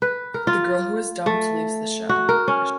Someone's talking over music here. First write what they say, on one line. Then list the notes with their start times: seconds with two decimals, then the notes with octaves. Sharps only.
The girl who is dumped leaves the show.
0.02 B4
0.34 A#4
0.47 F4
1.26 A3
2.09 F#4
2.29 A#4
2.48 C#4